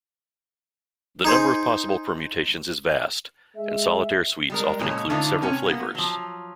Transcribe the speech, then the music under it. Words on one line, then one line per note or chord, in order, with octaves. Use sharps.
The number of possible permutations is vast, and solitaire suites often include several flavours.
D#4 G#4 C5
G#3 E5
G3 G#3 A#4
A#2 C#3 G#3 C#4 A4 C#5
D3 A3 C#4 D#4 F4 B4
C3 C#4 C#5 G#5
A#3 B3
F3 F#3